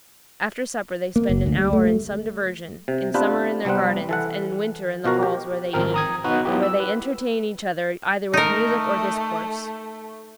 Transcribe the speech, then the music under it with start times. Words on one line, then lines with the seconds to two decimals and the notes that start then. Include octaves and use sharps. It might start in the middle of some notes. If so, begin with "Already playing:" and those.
After supper they spend an hour in some diversion, in summer in their gardens, and in winter in the halls where they eat, where they entertain each other either with music or discourse.
1.16 A#3
1.29 F#1
1.46 D2
1.58 G3
1.73 A3
2.88 C3
3.14 B3 C4 D4 F4 G4 B4
3.65 C2 G3 B3 C4 F#5
4.09 E3 A4 F#5
5.05 B2 F3 F#4 A#4
5.23 G4
5.73 G#1 F3 A#4 G5
5.94 A#5 D#6 G#6
6.24 B3 D#4 F#4 B4
6.45 F#3 B3 E4 G4
6.63 E6
6.80 B4
8.33 A3 D#4 A#4